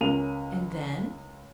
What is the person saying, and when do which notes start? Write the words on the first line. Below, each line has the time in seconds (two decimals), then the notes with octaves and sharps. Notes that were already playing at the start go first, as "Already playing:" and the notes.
"And then?"
0.01 C#2 C#4 A#4 D#7 F7